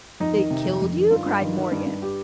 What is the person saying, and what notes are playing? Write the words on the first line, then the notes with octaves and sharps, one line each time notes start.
"They killed you?" cried Morgan.
F2 D#4
D#3
C3
F2
F2
D#3
G2 F4
G2
D#3
D#3
G2
G2
G4